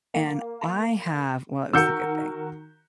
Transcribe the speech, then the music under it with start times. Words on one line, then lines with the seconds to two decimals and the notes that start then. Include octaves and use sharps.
and I have Well, it was a good thing.
0.14 A#3
1.73 D#3 F#4 A#4 E6 G6 C#7